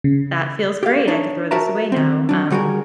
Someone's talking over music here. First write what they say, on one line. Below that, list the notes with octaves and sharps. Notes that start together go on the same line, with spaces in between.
"That feels great. I could throw this away now." Um,
C#3
G4 F5
D4 D#4 C#5 D5
F#4 A#4 E5 A5 A#5
D#3 C4
F#3 D4
D3 G3 F#4 G#4 A#4